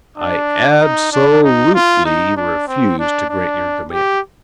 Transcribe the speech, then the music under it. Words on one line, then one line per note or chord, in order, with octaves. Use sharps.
I ab-so-lute-ly refuse to grant your demand.
D4
D#4
D4
D#4
F4
D#4
D4
C4
D4
D4
G4